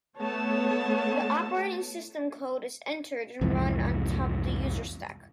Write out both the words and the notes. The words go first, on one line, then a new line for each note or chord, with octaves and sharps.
The operating system code is entered and run on top of the user stack.
A3 B3 C#5 A5
C2 F2 G#2 E3